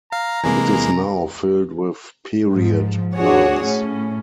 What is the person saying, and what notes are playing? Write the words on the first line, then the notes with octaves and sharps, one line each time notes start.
It is now filled with period plants.
F5 A#5
C3 E3 G#3 A#3 G#5
G#2 F3
D4 F#4 G#4 C#5 F#5
A2 C#4